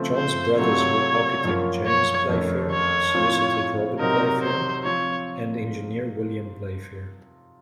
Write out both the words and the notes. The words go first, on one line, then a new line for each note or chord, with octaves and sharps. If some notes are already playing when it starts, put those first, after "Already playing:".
John's brothers were architect James Playfair, solicitor Robert Playfair and engineer William Playfair.
Already playing: C#3 F3 A3 C4
C5
C3 F#3 A3 C4 F4 C#5
F#2 F3 A#3 C#4 F4
C#5
F2 D#3 A3 C#4
C#5
A2 F3 C4 F4
C3 F#3 C4 D#4 A#4
C5
F3 C4 F4 C#5